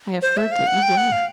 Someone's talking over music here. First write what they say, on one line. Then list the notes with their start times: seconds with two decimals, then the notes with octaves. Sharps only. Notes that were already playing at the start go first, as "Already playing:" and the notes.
I have heard that you were.
0.22 C5
0.37 E5
0.52 F5
0.67 F#5
0.83 G5
0.97 F#5
1.12 F5